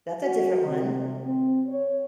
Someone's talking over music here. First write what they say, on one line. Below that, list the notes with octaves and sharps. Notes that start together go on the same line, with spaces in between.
that's a different one.
F#4
C3
C4
C#5